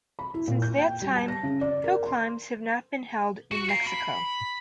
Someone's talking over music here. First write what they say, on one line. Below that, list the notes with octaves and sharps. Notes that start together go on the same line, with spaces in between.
Since that time, hillclimbs have not been held in Mexico.
B5
E4
A#2
G6
G5
G3
A5
A#6
C#3
D5
A#4
C6
F#4
F5 A#5
B5